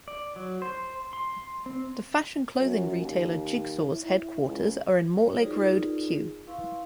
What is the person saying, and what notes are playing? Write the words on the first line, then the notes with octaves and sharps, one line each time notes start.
The fashion clothing retailer Jigsaw's headquarters are in Mortlake Road, Kew.
D5
F#3
C5
C6
C4
F#2
D#2
E4
C#2
G3 F#4 C5 C#5
D#4 F4 G#4 A#4 B4 D5
E4 B4 F5 C6 C#6 E6